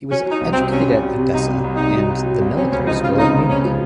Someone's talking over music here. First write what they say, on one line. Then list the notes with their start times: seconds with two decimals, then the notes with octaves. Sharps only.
He was educated at Odessa and the military school at Munich.
0.11 F#3 C#4
0.26 F#3 D#4
0.41 C2
0.52 C4
0.56 C2
0.71 C3 C#4
0.87 C2
1.03 F#3
1.18 C3
1.33 C2 D#4
1.49 C3
1.64 C2
1.75 D#4
1.80 C2
1.95 F#3
2.10 C2
2.26 F#3
2.41 C2
2.56 C4 C#4
2.72 C#2 C#4
2.87 F3 D#4
3.03 C#3 F4
3.18 C#2 D#4
3.33 C#3
3.49 C#2 C#4
3.65 F3